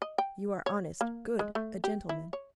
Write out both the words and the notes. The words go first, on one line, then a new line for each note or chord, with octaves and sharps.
You are honest, good, a gentleman.
D#5
G5
C#5
A#3
G#3
A3
G4
E4
C#5